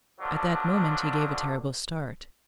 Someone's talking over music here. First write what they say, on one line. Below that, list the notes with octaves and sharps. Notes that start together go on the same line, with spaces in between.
At that moment, he gave a terrible start.
B2 D3 F3 F#3 D4